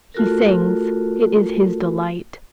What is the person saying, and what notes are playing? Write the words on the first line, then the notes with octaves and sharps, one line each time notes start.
He sings; it is his delight.
A3 F4 F#4 A4 A#4